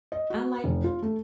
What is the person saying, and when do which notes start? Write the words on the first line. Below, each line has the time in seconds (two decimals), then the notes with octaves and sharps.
I like
0.12 D#5
0.30 F#4
0.64 F1
0.84 F4
1.02 A3